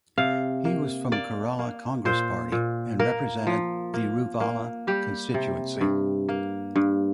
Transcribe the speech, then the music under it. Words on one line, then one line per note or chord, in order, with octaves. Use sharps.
He was from Kerala Congress party and represented Thiruvalla constituency.
C3 F5
A#3
A#3 D5
A#3
A#2 C5
A#2
A#3 A#4
F3
A#3
A#3
G3 G4
C3
G2
A#3
G2